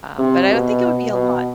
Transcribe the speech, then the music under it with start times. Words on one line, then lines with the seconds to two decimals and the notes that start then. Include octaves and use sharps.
um, but, I don't think it would be a lot.
0.19 C3
0.50 B2
1.10 B2